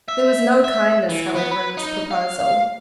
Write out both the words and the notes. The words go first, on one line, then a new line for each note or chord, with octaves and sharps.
There was no kindness, however, in this proposal.
E5
E5
E3
B3
B4
D#4
F5